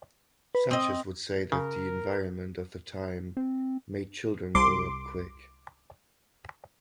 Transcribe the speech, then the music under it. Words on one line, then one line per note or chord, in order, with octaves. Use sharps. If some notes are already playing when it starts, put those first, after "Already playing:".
Sanchez would say that the environment of the time made children grow up quick.
B4
C4 D#5 D#6
C#3 A#4
C4
C2 C6 D6